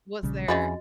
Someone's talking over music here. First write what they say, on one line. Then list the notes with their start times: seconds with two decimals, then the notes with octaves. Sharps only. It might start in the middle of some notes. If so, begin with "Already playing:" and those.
Was there
0.23 A#1 C#3 G3
0.48 F2 C#3 C#4 E4 F#4 D#5